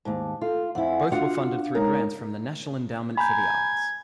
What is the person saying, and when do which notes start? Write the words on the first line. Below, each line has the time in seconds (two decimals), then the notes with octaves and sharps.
Both were funded through grants from the National Endowment for the Arts.
0.05 D#2 G#2 A5
0.42 F4 A4
0.75 F2 E4 F#5 G#5
1.12 D4 F4 F#4 F5 F#5
1.75 G#3 D#4 A#4 C#5
3.17 G#5 A#5 B5 G6 G#6